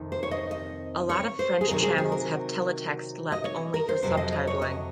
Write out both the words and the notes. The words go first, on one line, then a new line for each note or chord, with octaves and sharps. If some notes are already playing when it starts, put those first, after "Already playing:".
A lot of French channels have teletext left only for subtitling.
Already playing: F2 C3 D#3
C5
C#5
D#5
D#5
C#5
C5
G#4
C3 D#3 F#3 C4 A#4
G#4
G#4
A#4
D#5
C#5
A#4
C5
F2 C3 F#3 C5
D#5
D#5
C#5
D#5